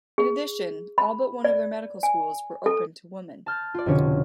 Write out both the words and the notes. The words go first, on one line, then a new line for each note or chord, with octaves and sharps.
In addition, all but one of their medical schools were open to women.
G#4
B5
D5
G#5
A4
A5 F6 G6 A6
F4 D5
F1 B2 D3 C4 C#4 C#5